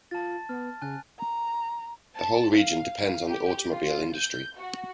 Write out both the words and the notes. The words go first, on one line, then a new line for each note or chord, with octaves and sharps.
The whole region depends on the automobile industry.
F4 A5 A6
B3 F6
C#3 G#5 F#6
A#5
A5
F5
G4
F4
G6
F#4